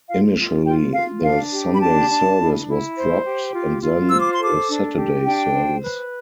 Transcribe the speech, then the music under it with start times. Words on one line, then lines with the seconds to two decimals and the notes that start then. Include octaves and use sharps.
Initially, the Sunday service was dropped, and then the Saturday service.
0.08 F4 F5
0.37 F4
0.66 F4 G5
0.95 F4 F5
1.23 D4 F5
1.52 G4
1.74 B5
1.80 D4 A5
2.09 D4
2.38 E4
2.67 E4
2.95 C5
3.24 G4
3.52 F4
3.81 F4
4.09 C5 E6
4.21 D6
4.33 C6
4.39 A4 D6
4.67 D4
4.96 G4
5.24 D4 G5
5.53 C5
5.82 B4